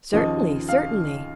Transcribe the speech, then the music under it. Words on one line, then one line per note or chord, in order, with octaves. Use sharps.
"Certainly, certainly."
D#2 C#3 F3 D#5
F5